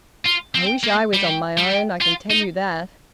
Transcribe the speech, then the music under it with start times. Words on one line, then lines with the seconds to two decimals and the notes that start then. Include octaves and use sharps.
"I wish I was on my own, I can tell you that."
0.25 F4
0.55 C4
0.84 A#3
1.14 G3
1.58 G3
2.02 F4
2.31 D#4